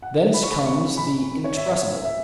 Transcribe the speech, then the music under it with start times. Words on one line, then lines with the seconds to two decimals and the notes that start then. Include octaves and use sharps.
Thence comes the inexpressible.
0.02 F#5
0.34 B5
0.43 C#6
0.51 B5
0.66 C#6
0.97 B5
1.44 C#5
1.57 E5
1.70 C#5
1.92 E5
2.05 E5